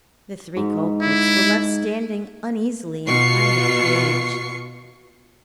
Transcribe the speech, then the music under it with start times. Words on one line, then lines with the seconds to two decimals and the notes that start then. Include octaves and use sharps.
The three culprits were left standing uneasily in a kind of cage.
0.57 G#2
1.02 E4
3.07 B2 F4 C#6 C7 C#7